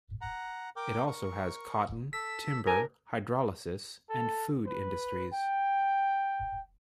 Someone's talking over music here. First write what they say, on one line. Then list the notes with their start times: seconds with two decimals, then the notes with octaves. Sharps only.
It also has cotton, timber, hydrolysis, and food industries.
0.21 F#5 A#5
0.76 A#4 G5 D6
1.07 A#4 C#6
2.13 A4 E6 B6
2.67 D4 A#4 G#5
4.10 A4
4.67 B4
5.33 G5